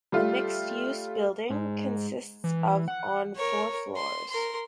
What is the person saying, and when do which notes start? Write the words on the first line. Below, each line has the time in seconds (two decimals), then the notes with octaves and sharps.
The mixed use building consists of on four floors.
0.12 G3 A3 F4
1.50 G#2
2.44 E3
2.88 F#5
3.36 A#4 C#5
3.96 C6
4.30 A#4 C6